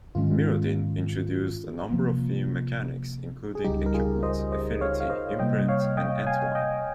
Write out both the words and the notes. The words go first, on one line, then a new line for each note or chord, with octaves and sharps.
"Mirrodin" introduced a number of new mechanics, including Equipment, Affinity, Imprint and Entwine.
G#2 D#3 G#3 C#4 F4
C3 F3 A#3
G#4
C#2 C#3 G3 D#4 G4
A#4
F4 G#4
C5 D#5
C5 D#5
C#5 F5
F5
C5 D#5
C3 G3 A#3 D#5 G5
C#5 F5
D#5 G5
F5 G#5
D#5 G5